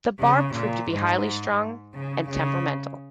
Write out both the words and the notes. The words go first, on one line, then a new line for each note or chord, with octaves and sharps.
The Barb proved to be highly strung and temperamental.
C#3
A#2
G#2
C#3
C#3